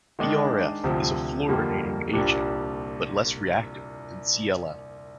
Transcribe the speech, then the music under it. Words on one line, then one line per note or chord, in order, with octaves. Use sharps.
BrF is a fluorinating agent, but less reactive than ClF.
D#3 G#3 D4
D2 C3 F3
F2 D3 G3 A#3
C2 A#2 G3 D4